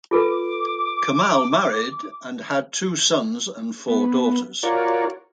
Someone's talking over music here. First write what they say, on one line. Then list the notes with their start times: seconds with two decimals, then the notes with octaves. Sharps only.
Kamal married and had two sons and four daughters.
0.11 F4 A4 B4 D6
3.88 B3
4.63 F4 F#4 A#4 C#5 D5